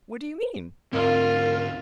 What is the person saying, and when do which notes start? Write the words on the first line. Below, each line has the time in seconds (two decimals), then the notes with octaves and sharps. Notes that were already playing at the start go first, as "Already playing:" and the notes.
"What do you mean?"
0.93 D2 G#2 C4 F4 A#4